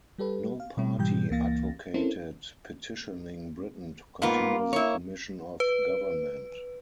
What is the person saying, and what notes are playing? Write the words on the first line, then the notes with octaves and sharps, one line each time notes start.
No party advocated petitioning Britain to continue the Commission of Government.
G3 G4 A4 B4
F5
B2 G3 C4
G#2 B2 E3 G3 G5 G6
C#2 E3 A#3 F5 A6 A#6
C4 C#4 E4 A4 A#4 C5
G#2 A#3 B3 F4
E4 C#5
B4